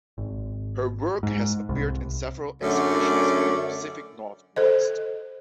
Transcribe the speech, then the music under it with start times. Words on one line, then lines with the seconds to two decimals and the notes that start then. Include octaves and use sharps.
Her work has appeared in several exhibitions in the Pacific Northwest.
0.18 G#1
1.23 G#2
1.69 C2
2.62 F#2 D3 A3 C#4 D5
4.56 A4 C5 D#5